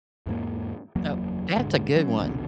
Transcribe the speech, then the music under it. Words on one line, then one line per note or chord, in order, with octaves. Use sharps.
No that's a good one.
E2 G#2 A#3
F#1 E2 F#3 A#3
D#1 G#2 D3 G#3
F#3 C#4
A#1 D#2 B2 D3